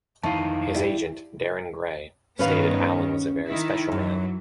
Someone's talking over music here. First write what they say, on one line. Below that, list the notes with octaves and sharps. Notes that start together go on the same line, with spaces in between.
His agent, Darren Gray, stated Alan was a very special man.
F2 D#3 E3 D#4 E4 F5 A5 C#6
E4 G4 D5
G2 D#3 B3 C#4 B4 F5
D#3 E4
F#2 E3 F#3